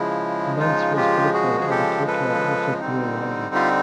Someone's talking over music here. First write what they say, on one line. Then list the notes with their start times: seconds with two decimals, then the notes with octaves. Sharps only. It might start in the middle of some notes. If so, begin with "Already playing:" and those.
A Manse was built there and the kirkyard also grew around it.
Already playing: C#3 F3 G#3 E4
0.60 D#4 F4
0.97 F4 G4
1.33 F#4 G#4
1.60 G#4
1.70 G4 A4
2.07 A4 B4
2.80 D3 G3 C4 D#4
3.55 F4 G4